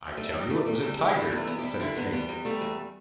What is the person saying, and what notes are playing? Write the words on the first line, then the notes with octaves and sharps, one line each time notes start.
'I tell you it was a tiger,' said the king.
G3 A3
E2
E2 A3
G3
E2 A3
G3
E4
E3 D4
E2
A3
E2 B3
G4
G3 E4
D3 E4
E2 B3
G3 B3
E2
G3 A3
E2